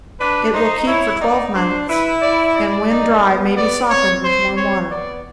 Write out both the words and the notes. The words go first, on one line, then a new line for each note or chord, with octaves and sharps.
It will keep for twelve months, and when dry may be softened with warm water.
D4 B4
D#4 C5
E4 C#5
D#4 D5
D4 C5
E4 B4
D5
D5
D#4
B3
B3 D5
C4 C#5
C5
C#5
B3 D5